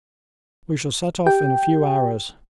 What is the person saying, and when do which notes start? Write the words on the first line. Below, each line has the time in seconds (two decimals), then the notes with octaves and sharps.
"We shall set off in a few hours."
1.26 G4 G5